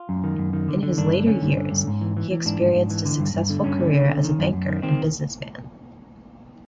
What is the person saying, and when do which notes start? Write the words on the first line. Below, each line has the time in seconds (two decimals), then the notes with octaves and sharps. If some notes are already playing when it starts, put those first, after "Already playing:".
In his later years, he experienced a successful career as a banker and businessman.
Already playing: F4
0.09 F#2
0.24 D#3
0.38 F#2
0.53 D#3
0.68 D3
0.83 D3
0.98 G2 D4
1.13 D3
1.27 D3 C#4
1.42 G2
1.57 D3
1.71 G2
1.87 G#2
2.01 E3
2.17 E3
2.31 E3
2.46 G#2 D4
2.61 G#2
2.75 G#2
2.90 E3
3.05 D3
3.20 G2
3.34 G2
3.50 D3
3.64 G2 C#4
3.80 D3
3.94 D3
4.09 D3
4.24 D#3
4.39 F#2
4.53 F#2
4.69 D#3
4.83 D#3 C4